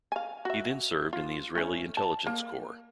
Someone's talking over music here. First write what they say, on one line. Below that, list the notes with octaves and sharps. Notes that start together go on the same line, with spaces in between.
He then served in the Israeli Intelligence Corps.
F5 G#5
F#4 E5
F4
A3 C#4
A5
A#3